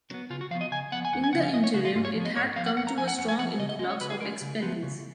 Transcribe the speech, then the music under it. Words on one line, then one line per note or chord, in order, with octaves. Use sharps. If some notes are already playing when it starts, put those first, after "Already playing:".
In the interim it had come to a strong influx of expellees.
F#3 B3
C#3 F4
F#4
F3 B3 F5
D#5
C#3 G#5
F3 B3 F#5
G#5
F2 F#5
G#5
C#3 F3 F#5
F5
F2 D#5
C#5
C#3 F#4
F3
F4
G#2 F4
C#5
F3 B3
D#5
G#2 C#5
F3 B3 F5
F#5
F2 F#5
A#5
F3 B3 G#5
F#5
F2 F#5
G#5
F3 B3 F#5
C#3 D#5
D#5
G#3 C#4 D#5
C#5
C#3 B4
G#4
G#3 C#4 A#4
C#3
F3 B3
C#3